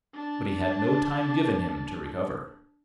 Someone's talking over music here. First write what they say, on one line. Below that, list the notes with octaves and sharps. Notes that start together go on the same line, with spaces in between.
But he had no time given him to recover.
D4 A5